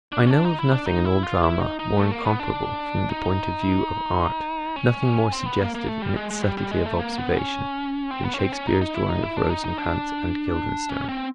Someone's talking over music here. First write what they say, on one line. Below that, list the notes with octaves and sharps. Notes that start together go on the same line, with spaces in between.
I know of nothing in all drama more incomparable from the point of view of art, nothing more suggestive in its subtlety of observation, than Shakespeare's drawing of Rosencrantz and Guildenstern.
D4
C#4
D4
D#4
E4
D4
D#4
E4
F4
E4
D#4
D#4
A3
A#3
B3
D4
D#4
C#4
C4
B3
A#3
A#3
A3
G3
G#3
G#3
G3
G3
G#3
A3
A#3
B3
C#4
C4
B3
C#4
C4
C#4
D#4
D#4
E4
D#4
E4
D4
D#4
D#4
D4
C#4
C4